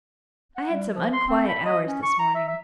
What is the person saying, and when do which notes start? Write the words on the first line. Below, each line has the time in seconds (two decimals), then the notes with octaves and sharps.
I had some unquiet hours this morning.'
0.57 F#5
0.71 G3
0.94 F3
1.13 C6
1.28 C4
1.48 B5
1.65 D#5
1.87 C#4
2.03 C#6
2.19 A#5
2.35 E5
2.48 E5